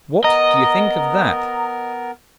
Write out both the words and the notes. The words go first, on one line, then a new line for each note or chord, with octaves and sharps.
"What do you think of that?"
B3 A#4 D#5 A#5